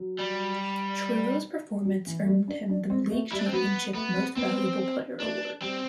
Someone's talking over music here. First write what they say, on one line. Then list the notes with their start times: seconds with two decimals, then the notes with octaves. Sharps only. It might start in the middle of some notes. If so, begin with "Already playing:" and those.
Trillo's performance earned him the League Championship Series Most Valuable Player Award.
Already playing: F#3
0.19 G3
1.85 F#3
2.07 E3
2.22 A3
2.27 G3
2.48 D4
2.69 D4
2.90 C4
3.11 A3
3.32 G3 E4
3.39 D4
3.46 C4
3.53 F#3 B3
3.95 A3 B3
4.15 C4
4.36 B3 C4
5.20 A3 D4
5.62 G3 C4